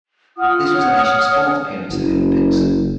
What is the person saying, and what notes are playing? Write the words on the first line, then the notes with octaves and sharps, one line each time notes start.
This was the nation's fourth appearance at the Olympics.
F4 F#5 D#6 F6
C#5
F#1